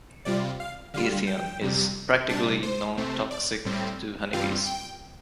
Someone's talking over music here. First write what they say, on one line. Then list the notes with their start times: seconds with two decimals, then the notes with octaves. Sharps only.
Ethion is practically nontoxic to honeybees.
0.25 C3 G3 F4 D5
0.60 F5
0.94 D3 G3 F4 F5
1.27 G5
1.61 F2 C3 G3
2.29 C3 G3 D4 A5
2.63 C5
2.97 C3 A3 C4
3.31 D5
3.65 A2 G3 C4
4.33 G2 G3 C4 F4 F5
4.66 G5